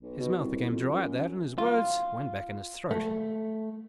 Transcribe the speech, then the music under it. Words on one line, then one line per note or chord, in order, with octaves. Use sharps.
His mouth became dry at that and his words went back in his throat.
B1
B2
C2
F2
F#2
F4
A3